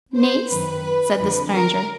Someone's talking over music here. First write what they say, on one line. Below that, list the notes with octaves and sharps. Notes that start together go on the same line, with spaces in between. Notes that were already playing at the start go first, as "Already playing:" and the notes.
"Niece?" said the Stranger.
C5
F#2 D#3 B4
F2 D3 F3
A#4